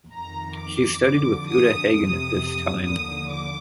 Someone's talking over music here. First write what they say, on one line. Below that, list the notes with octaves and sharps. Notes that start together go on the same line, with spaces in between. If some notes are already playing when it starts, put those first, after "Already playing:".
She studied with Uta Hagen at this time.
F2 D#3 A#5
D6
F2 D3 F3
D#6
F2 C3 F3 D#6
D#2 D3 F3 D#6
D6